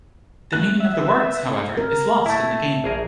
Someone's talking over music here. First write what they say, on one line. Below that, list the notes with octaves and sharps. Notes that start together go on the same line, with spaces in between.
The meaning of the words, however, is lost in the game.
A3 F#6
E5
B4 E5
A#4
A3 E4 E5 A5
A#1 G#4 A#4